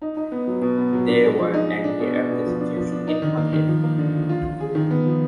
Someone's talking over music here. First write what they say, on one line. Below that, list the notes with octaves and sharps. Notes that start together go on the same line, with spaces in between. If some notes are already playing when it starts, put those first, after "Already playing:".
They were angry at the situation in Hungary.
D#4
D#4
B3
F#3
B2
B3
F#3
D4
G#3
F3
D#4
G#3
D4
B2
D4
B2
F3
D4
F3
D4
D#4
D#3
A#3
D#3
F3
A#3
D3
F3
F4
F4
G#4
D#3
B3
F3